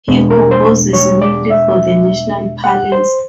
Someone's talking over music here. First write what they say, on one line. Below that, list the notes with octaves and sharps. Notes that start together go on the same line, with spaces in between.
He composes mainly for the National Palace.
E2 B2 G#3 B3 D4
A#4
C5
C#5
D5
E5
F#5
C5